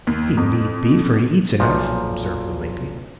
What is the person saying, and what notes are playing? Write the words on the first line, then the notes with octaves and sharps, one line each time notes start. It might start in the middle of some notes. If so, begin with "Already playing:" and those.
'He need be, for he eats enough,' observed the lady.
D#2
F2
B1 A#2 F3